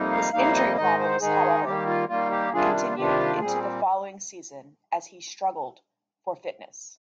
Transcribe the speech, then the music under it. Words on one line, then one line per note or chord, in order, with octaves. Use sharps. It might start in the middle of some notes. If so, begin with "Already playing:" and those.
His injury problems, however, continued into the following season as he struggled for fitness.
Already playing: F2 C3 G3 A#3 D#4
F5
F2 C3 G3 A#3 D#4 F5
D#5
G#2 D#3 G#3 D#4 D#5
C5
G#2 D#3 G#3 D#4 G#4
D#3 G3 A#3 G4
F4
D#3 G3 A#3 F4
G4
C3 D#3 G3 D4 F4 G#4
F4
C3 D#3 G3 D4 F4 G4
A#2 G3 C4 G#4